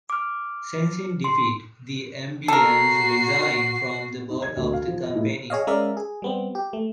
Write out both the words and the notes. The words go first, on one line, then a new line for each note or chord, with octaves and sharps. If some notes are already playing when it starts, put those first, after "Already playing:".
Sensing defeat, the Ambanis resigned from the board of the company.
D6 F6
C6
F#4 A4 A#4 C7
D#4
G#6
D2
F5
F3
D#5
A2
G#4 C#5 D#5 F5
G#3 C#4 A#4 D5 E5 F5
G#4
G3 B3 C4
G4
A3